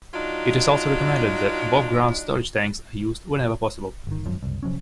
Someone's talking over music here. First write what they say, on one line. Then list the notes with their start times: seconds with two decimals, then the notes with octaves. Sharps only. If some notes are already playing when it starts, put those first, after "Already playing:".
It is also recommended that above-ground storage tanks are used whenever possible.
0.13 F#3 D4 D#4 F4
4.07 G1 D#3
4.26 G#1 F#2 F3
4.43 F#1 C2
4.63 C3 F3 F#3 C#4